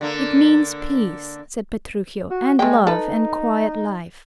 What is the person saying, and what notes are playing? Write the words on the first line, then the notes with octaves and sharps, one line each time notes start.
"It means peace," said Petruchio, "and love, and quiet life."
D3 A#3
F#4
G#3 A3 G5
D#4 A4 B4